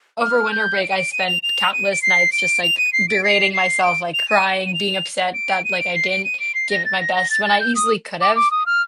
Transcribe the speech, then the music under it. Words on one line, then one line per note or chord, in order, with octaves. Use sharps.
over winter break I spent countless nights just, like, berating myself, like, crying, being upset that, like, I didn't give it my best when I easily could have,
F6
G6
D7
D#7
D7
D#7
F7
F7
D#7
D7
C7
D7
F7
D#7
C7
D7
C7
C7
D7
F7
D#7
D#7
F7
D7
D#7
D7
C7
D7
D#7
D7
C7
A#6
A6
A#6
A#6
A6
A6
G6
D#6
D6
D6
D#6
F6